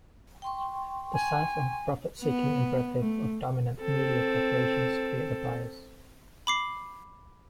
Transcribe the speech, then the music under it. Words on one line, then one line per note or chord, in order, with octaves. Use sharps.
The size and profit-seeking imperative of dominant media corporations create a bias.
G5 C6 C#6
G#5
B3
A3
C4 A4
B5 D6 C7